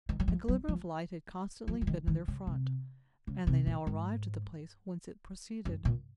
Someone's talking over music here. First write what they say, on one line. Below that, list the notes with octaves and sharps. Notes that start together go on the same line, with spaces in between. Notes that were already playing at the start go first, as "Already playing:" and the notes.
A glimmer of light had constantly been in their front, and they now arrived at the place whence it proceeded.
D#3
F#3
F3
F#3
F3
F3
F3
D#3
D#3
C#3
C3
C#3
C3
A#2
G#2
F#2
A#2